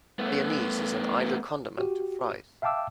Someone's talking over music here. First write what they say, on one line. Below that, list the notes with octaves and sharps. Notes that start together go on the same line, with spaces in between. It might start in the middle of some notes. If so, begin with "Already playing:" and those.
Mayonnaise is an ideal condiment to Fries.
A3 B3
F#4 G4
E5 F5 G5 A5 D6 E6